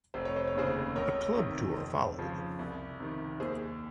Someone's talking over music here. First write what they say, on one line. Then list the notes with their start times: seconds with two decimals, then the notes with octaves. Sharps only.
A club tour followed.
0.14 F1 C5
0.25 C#5
0.36 C5
0.47 C#5
0.55 D#2 C#3 G#4 C5
0.96 C#2 A#4 C#5
1.37 C3 D#3
1.77 F2
2.19 C#3 F3
2.59 C2
3.00 C3 D#3
3.40 D#2 G#4 C5